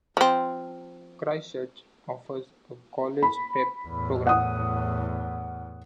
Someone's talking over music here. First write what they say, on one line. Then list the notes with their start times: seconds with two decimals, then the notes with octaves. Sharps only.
Christchurch offers a college prep program.
0.17 F3 C4
3.23 B5
3.87 E2 A2
4.27 F#5 D#6